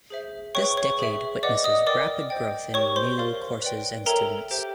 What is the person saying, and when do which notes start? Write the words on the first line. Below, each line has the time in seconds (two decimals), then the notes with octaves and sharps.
This decade witnesses rapid growth in new courses and students.
0.10 G#4 C5 E5
0.55 G#4 B4 C#5 E5 G5 C#6
0.77 C#5 C#6
0.99 G#4 C#5 E5
1.43 B4 D5 D#5 F#5 D6
1.64 D#5 D#6
1.87 A#4 D5 D#5 G5 D6
2.30 C5 D#5 G5
2.74 G4 A#4 C#5 D5 G5 C#6
2.96 C5 C6
3.18 A#4 D5 F5
3.62 B4 D5 G5
4.06 A4 A#4 C#5 E5 G5 A#5
4.51 G4 C5 E5 G5